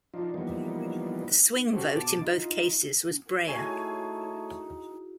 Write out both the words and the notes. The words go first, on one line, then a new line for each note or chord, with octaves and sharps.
The "swing vote" in both cases was Breyer.
F3 D4 D#4 F4
E3 F3 G3 A#3 B3 D#4
C#4 F#4 G4 A4 C5
B2 A5 D6
D#4 F4
A3 D#4 E4 F#4 G#4 C#5 G#5 C7